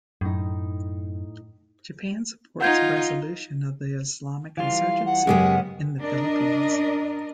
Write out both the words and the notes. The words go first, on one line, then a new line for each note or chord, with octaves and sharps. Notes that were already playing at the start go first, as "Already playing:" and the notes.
Japan supports the resolution of the Islamic insurgency in the Philippines.
F#2 A2 D#4
D#4 F4 F#5 G6 G#6
E3 G3 F4 F5
F#5
F#2 C#3 G#3 B3 C#4 G4 G#4
D4 A#4 D#5